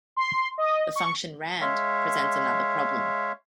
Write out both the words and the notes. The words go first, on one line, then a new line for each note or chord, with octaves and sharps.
The function "rand" presents another problem.
C6
D#5
C#6
G#3 C#5 E5 F5